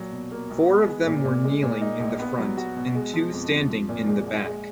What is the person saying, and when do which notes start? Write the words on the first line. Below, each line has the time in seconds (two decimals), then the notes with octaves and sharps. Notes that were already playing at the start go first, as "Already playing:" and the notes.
Four of them were kneeling in the front and two standing in the back.
Already playing: A#2 F#3
0.12 B2
0.31 A#3
0.50 B1
0.68 B3
0.88 G#3
1.06 A#2
1.25 A#2
1.44 G#3
1.63 A#2
1.81 D#4
2.00 A#1
2.19 B3
2.38 F#3
2.57 F#4
2.76 B2
2.95 G#3
3.13 F3
3.32 F2
3.51 F2
3.70 F3
3.89 A#2
4.07 G#3
4.26 A#1
4.45 G#3